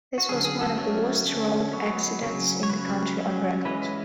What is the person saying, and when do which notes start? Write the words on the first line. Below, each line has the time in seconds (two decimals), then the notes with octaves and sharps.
This was one of the worst road accidents in the country on record.
0.18 F#4
0.29 D3 F#3 C#4 G#4
0.45 G#4
0.61 A4
0.77 F#3 A3 C#4
1.26 D3 A3 C#4
1.73 F#3 B3 C#5
2.22 C#3 F#3 C#4
2.63 C#5
2.69 C#3 F#3 C#4 B4
3.18 F#3 C#4
3.65 E3 G#3 C#4 B4
3.82 B4